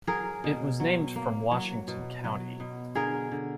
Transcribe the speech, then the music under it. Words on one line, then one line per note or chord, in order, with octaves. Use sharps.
It was named from Washington County.
F#3 G#4 A#4
B2
F#3
A#3
F#3
B2
F#3
B2
D3 G#4 A#4
D3